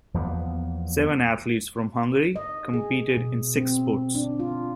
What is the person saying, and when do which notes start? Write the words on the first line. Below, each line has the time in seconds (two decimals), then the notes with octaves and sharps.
Seven athletes from Hungary competed in six sports.
0.14 E2 F3 A#3 B3
2.36 D#5
2.73 G#4
3.17 B2
3.56 C4
4.15 D4
4.40 F4